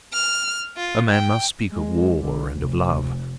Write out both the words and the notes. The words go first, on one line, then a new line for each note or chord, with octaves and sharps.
A man must speak of war and of love.
F6
F4
G5
G#3
D3
F1